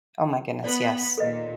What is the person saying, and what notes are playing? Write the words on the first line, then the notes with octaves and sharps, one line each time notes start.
Oh my goodness, yes.
B3 D5 B5
D#2 A#2 A4 B4 D#5